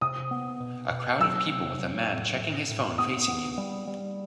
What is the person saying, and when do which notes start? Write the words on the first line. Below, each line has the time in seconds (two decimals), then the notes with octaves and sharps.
A crowd of people, with a man checking his phone facing you.
0.01 C3 D#6
0.31 B3
0.60 B2
0.90 B2
1.19 F#3 E6
1.50 C3
1.79 F#3
2.09 A2
2.39 A2
2.69 A2
2.98 B3 D#6
3.28 B3
3.58 G3
3.87 G3